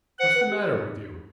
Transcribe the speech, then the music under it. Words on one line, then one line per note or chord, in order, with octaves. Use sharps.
'What's the matter with you?'
C5 F#5
B4
G4